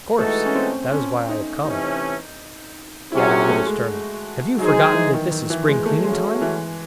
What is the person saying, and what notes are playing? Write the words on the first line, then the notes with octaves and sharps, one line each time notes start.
"Of course; that is why I have come." He added a little sternly, "Have you forgotten that this is spring cleaning time?"
E3 G#3 A3 D#4 F#4 A4
C#4
C4
C#4
D#4
C3 E3 A3 C#4 D#4
C3 F#3 C#4 E4 G#4
F#4
A3
G#3
F#3 G#3 D#4 G#4 C5
E3
D#3
D#3
E3
G#3
A3
F#3 G#3 A3 C#4 F#4
E3